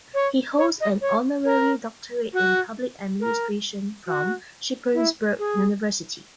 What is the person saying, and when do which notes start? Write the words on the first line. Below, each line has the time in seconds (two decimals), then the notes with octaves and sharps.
He holds an Honorary Doctorate in Public Administration from Shippensburg University.
0.14 C#5
0.57 C#5
0.80 D#5
1.01 C#5
1.45 A#4
2.33 F#4
3.20 A#4
4.06 F#4
4.94 E4
5.38 G#4